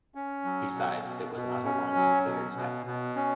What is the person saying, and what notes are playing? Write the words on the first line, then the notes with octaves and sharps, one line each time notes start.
Besides, it was not a long-considered step.
C#4
F#3
B2
B2
B2
C#4
F#3
B2
B2
B2
C#4